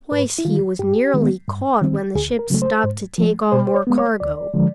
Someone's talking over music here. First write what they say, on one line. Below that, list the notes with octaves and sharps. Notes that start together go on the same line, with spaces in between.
Twice he was nearly caught when the ship stopped to take on more cargo.
G#2 B4
E4
D#3 G3 F4
G2 G4
D#3 G#3 B3
G2
D#3 G3 C4
D2 G#4
A#4
C#3 F#3 A3
C5
G#2
F3 A3
B2 C5
C5
C#5
G#3 B3
C#5
D2 D5
D3 F3 G#3